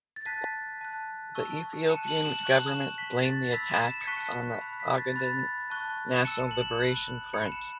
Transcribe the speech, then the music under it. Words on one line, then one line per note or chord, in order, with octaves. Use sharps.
The Ethiopian government blamed the attack on the Ogaden National Liberation Front.
A6
A5 F#6 B6
A5 F#6
A5 C#6 E6
E7
A5 F#6 C#7
F#7
E7
A5 C#6 F#6 F#7
E7
A5 C#6 F#6 B6
A6
B5 E6 B6
B6
E7
E7
C#7
A5 C#6 F#6 B6
B6
B5 F#6
B6
A6
B5 F#6 A6
A5 C#6 F#6
E7
A5 E6 C#7
F#7
E7
B5 F#6
B5 F#6 C#7
E7